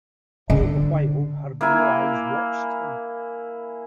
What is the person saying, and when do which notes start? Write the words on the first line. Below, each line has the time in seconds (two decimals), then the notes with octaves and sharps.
All the while her blue eyes watched him.
0.50 D3
1.61 A#3 E4 G#5